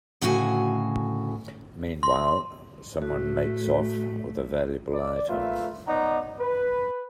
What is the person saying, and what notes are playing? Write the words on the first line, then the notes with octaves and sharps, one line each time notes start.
Meanwhile, someone makes off with a valuable item.
D2 A2 C#3 F#4 G#5
C6
A2 A3 F#4
D5
A3 F4 A#4 B4 E5 F5
B3 D#4 C#5 D5 F#5 A#5
B4